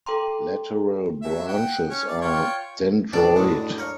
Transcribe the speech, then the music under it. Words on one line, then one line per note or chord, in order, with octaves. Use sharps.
Lateral branches are dendroid.
A4 G5 A#5 C6
F#3 E5
F#5 G5
C#4
D5
F4 C#5 G5
B2 D4 D5
F#2 A2 G#3
A#4 C#5